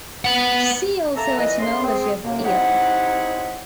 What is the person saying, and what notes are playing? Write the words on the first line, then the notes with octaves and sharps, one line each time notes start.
See also Etymology of eel.
B4 F#5
A#3 A4 E5 A#5
A#2 E3 B4 D#5
C#3 A3 D4 C6
C4 G#4
F#2 A2 C3 A#3
C4 D#4 E4 G4 C#5 F#5